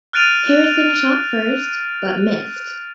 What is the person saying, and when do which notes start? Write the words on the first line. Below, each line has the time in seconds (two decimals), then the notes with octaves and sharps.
Harrison shot first, but missed.
0.13 F6 F#6 A6 D7 D#7 F7